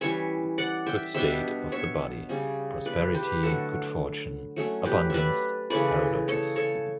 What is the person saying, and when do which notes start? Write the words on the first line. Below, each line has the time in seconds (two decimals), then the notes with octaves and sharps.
Good state of the body: prosperity, good fortune, abundance.-"Herodotus".
0.01 E3 G3 C#4 C#5 E5
0.58 D5 F#5
0.86 E5 G5
1.14 B2 G3 D4 E5 G5
1.72 C#5 E5
2.29 C#3 G3 C#4
2.86 B4 D5
3.14 G4 B4
3.43 D3 F#3 A3 F#4 A4
4.56 F#3 A3 C#4
4.85 G4 B4
5.10 B4 D5 E5
5.70 C#3 E3 A3 C#4 B4 D5
6.28 A4 C#5
6.56 A4 C#5